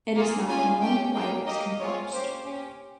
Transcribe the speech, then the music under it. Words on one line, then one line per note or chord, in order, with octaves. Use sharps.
It is not known why it was composed.
A#3 F4 G#4
C#4 F4 G#4 G#5
C#4 G4 G5
A#3 D#4 G#4 G5
A#3 D#4 G4 D#5
C4 F4 G#4 C#5
A#3 C#4 G4 C5
C#4 G4